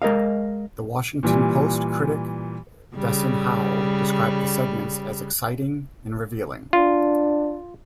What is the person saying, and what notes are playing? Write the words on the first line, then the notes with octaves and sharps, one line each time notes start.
"The Washington Post" critic Desson Howe described the segments as exciting and revealing.
G#3 A#4 D#5 F5
A#2 E3 G3
C#3 G3
D4 F4